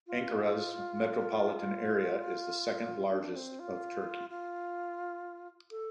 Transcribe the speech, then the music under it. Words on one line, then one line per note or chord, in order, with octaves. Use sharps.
Ankaras metropolitan area is the second largest of Turkey.
F4
D4
C4
F4
F4
A4